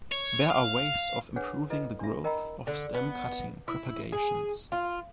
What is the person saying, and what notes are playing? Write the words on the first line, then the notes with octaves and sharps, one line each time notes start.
There are ways of improving the growth of stem cutting propagations.
C#5
F5
D4 G#4 B4 C#5 F#5
E4 A4 B4 D#5
D4 E5
A#4 D#5 G5 A#5 B5 E6
D3
B3
E4
G#4
F4